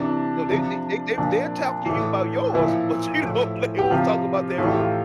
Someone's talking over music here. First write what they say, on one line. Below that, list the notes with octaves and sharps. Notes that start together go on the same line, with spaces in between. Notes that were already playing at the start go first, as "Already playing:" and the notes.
No, they they they they've they'll talk to you about yours, but you don't they won't talk about their own.
Already playing: C3 E3 D4
C3 F3
A#2 F3 D4
A2 E3
A#2 F3 E4
A2 F3
G4
C3 F3 F4
A2 E3 F4
G4
F4